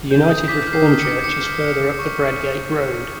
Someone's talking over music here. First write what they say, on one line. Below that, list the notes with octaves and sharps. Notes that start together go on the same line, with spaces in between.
The United Reformed Church is further up Bradgate Road.
G6
D#6
D6 B6
F6
C7
F6
C#7
D6
D6 C#7
F6
F6
D6
C#6